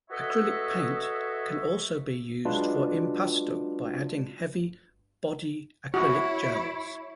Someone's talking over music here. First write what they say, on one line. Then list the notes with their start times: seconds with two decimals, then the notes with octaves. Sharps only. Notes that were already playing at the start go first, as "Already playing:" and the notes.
Acrylic paint can also be used for impasto by adding heavy body acrylic gels.
0.10 F#4 A4 B4 C#5 D#5 E5
2.45 F#3 G#3 D4 F4 F#4 B4
5.94 E4 F#4 C#5